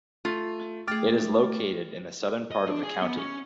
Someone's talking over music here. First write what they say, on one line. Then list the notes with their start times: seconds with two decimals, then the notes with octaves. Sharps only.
It is located in the southern part of the county.
0.25 A3 F4
0.87 A3 G#4 G5 D6 F6 A6
2.52 D#5
2.68 D4
2.83 G#4
3.02 B3
3.17 C#4